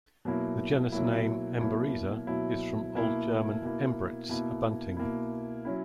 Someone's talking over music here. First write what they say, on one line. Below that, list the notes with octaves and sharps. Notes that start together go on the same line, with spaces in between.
The genus name "Emberiza" is from Old German "Embritz", a bunting.
B2 F#3 A#3 E4
B2 F#3 A#3 E4
B2 F#3 A#3 E4
B2 F#3 A#3 E4
B2 A#3 E4
B2 A#3 E4
B2 A#3 E4
B2 A#3 E4
F#3 C#4 E4